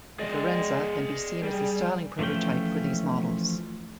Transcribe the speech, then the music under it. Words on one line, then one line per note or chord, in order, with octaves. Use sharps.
The Firenza can be seen as a styling prototype for these models.
G#3 G#4 D5 D#5
G3 G#4
E3 F3 A3 C#4 G5